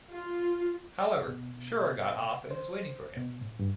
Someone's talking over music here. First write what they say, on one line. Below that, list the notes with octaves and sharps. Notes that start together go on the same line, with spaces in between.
However, Shura got off and is waiting for him.
F4
B2
C5
B2
A2
G2